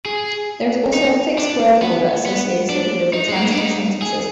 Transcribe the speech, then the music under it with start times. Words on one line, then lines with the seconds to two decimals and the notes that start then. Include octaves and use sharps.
There is also a fixed word order associated with transitive sentences.
0.06 G#4
0.94 D#4
1.38 D4
1.82 B3
2.26 B3
2.70 D4
3.13 D#4
3.28 G#3
3.35 A#3
3.43 B3
3.51 D4
3.58 D#4
4.02 G#4